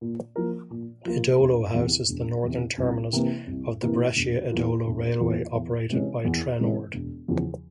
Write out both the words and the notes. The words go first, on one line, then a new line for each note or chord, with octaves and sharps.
Edolo houses the northern terminus of the Brescia-Edolo railway operated by Trenord.
A#2
F3 A#3 F4 A#4
A#2
F3 A#3 F4 A#4
E1
E2 C3
E1
E2 C3
C2
C3 E3 A#3 E4
C2
C3 E3 A#3 E4
E1
E2 E3 A#3 F4
E1
E2 E3 A#3 F4
E2
C3 E3 G#3 C#4
E2
C3 E3 G#3 C#4
E1
E2 C#3 F3